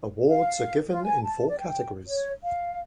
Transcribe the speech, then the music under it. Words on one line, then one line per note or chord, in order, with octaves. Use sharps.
Awards are given in four categories.
F5
F4
G#5
A5
D5
G5
C#5
F5